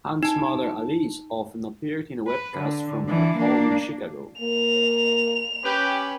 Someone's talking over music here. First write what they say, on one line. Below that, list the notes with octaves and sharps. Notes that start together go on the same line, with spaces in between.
Hunt's mother Alice often appeared in webcasts from her home in Chicago.
D#4 A5
B4
D3
E3 D4
A#3 D4
A#3 F7
C#4 G4 B4